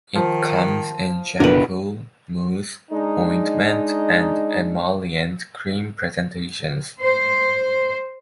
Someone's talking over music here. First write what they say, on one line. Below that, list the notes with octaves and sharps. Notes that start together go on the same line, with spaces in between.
It comes in shampoo, mousse, ointment and emollient cream presentations.
D#3 F3
F#1 B2 D3 D4 A#4 B4
G#3 D4 D#4
C5